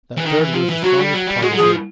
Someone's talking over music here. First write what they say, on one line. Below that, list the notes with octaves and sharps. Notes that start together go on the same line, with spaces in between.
That third was the strongest part of me.
E3
D#3
E3
F3
E3
F#3 F#4
G3
F#3
G3
G#3 F#4
F#3
F3 G#4